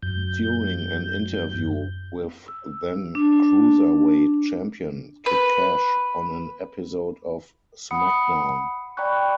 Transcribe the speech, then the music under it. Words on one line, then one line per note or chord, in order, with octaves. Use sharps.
During an interview with then Cruiserweight Champion Kid Kash on an episode of SmackDown!
F#2 G6
E6
D4
B4
F#5 B5 D#6 C#7
D5 G5 A#5 B5 C#6 F#6